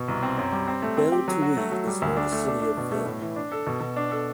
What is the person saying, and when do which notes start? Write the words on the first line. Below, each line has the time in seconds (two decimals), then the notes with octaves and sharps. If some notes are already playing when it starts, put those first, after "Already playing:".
Ben Thuy is near the city of Vinh.
Already playing: B2
0.08 C2
0.23 C4
0.38 F#2
0.52 G3
0.68 C4
0.82 A3
0.97 C4
1.12 G4
1.28 F#3
1.42 F#4
1.57 A3
1.72 F#3
1.87 G3
2.02 D2
2.16 D4
2.32 A3
2.47 D4
2.61 D4
2.77 B2
2.92 A3
3.06 A2
3.21 E3
3.36 D4
3.52 A4
3.67 B2
3.80 B2
3.96 D4
4.11 A4